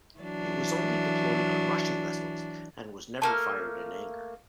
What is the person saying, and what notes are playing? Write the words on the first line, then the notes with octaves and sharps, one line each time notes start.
It was only deployed on Russian vessels, and was never fired in anger.
E3 F#3 D4
A3 A#3 A5 F6